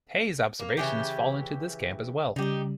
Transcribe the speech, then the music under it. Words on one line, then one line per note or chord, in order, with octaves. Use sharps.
Hey's observations fall into this camp as well.
A#3
C#3 E3 G4
C#3 G3 D#4 G4